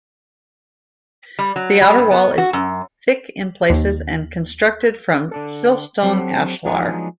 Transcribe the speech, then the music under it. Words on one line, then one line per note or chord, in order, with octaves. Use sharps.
The outer wall is thick in places and constructed from Siltstone ashlar.
G3
F#3
G3
G2
B3
F#4
F#2
D#2
D3 D4 A4
F#3 C4 D4 F#4 G4 A4
F3 F#3 G#3 B3 D4 D#4